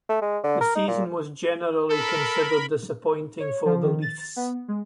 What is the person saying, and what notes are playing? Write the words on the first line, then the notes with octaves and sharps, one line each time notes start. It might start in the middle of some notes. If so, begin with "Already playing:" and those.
The season was generally considered disappointing for the Leafs.
A3
G#3
D3
A#4
D#4
A#2
A4 A#4 B5
C#5
F3
D#3
A6
B3
G#3